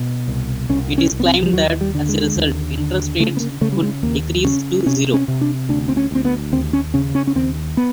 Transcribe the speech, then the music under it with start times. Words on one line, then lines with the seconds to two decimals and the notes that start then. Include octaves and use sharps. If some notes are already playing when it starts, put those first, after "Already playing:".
It is claimed that as a result, interest rates could decrease to zero.
Already playing: B2
0.28 C2
0.69 C2 C#4
0.98 C#4
1.12 C2
1.20 B3
1.25 C4
1.43 F3
1.53 D#2 F#3
1.81 G3
1.95 D3
2.09 G#3
2.36 D#2
2.78 D3
3.20 C#3 A3
3.37 B3
3.40 A#3
3.61 C#3 A3
3.72 G3
3.82 G#3
4.03 D#2 A#3
4.44 C#3 C#4
4.86 C3 C#4
5.14 C#4
5.28 C3
5.41 D4
5.69 D2 D4
5.88 C4
5.97 C#4
6.11 D2 C4
6.25 B3
6.53 D#2 C4
6.73 C#4
6.94 C#3 C#4
7.15 C#4
7.27 C#4
7.35 D#2 C4
7.77 B3